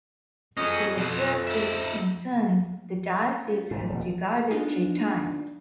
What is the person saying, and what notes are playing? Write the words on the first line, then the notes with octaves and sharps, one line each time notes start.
To address these concerns, the diocese has divided three times.
F2 F#3 C#4 G#4 D#5
F2 B2 F#3
D#4 E5
C#4 F4
G#1 G#2 F3 A3
D#1 B2
B3 D4 D#4 F4 G#4